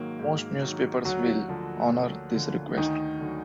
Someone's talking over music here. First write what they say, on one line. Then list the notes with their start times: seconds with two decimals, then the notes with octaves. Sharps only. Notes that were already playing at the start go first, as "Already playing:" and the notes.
Most newspapers will honor this request.
Already playing: G#2 D#3 F#3 A#3
0.19 G#2
0.62 D#3 F#3
1.05 D2 F#3 F#4
1.48 D3 F3
1.92 D2
2.34 D3 F3
2.77 D2 D#3 D#4
3.20 D3 F#3